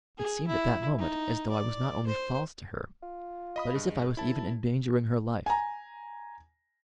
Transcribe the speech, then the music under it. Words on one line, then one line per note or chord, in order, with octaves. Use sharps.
It seemed at that moment as though I was not only false to her, but as if I was even endangering her life.
G#4
E4
D#4
D5
C5
F4
D#5 B5 D#6
G2 G#3
F#2 E4 A5
G#5 A#5